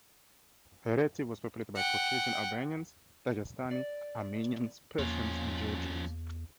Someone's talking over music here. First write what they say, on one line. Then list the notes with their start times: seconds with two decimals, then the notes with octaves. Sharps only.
Hereti was populated by Caucasian Albanians, Dagestani, Armenians, Persians and Georgians.
1.76 F#5 G5
3.71 D5
4.99 E2 F3 A#3 C#4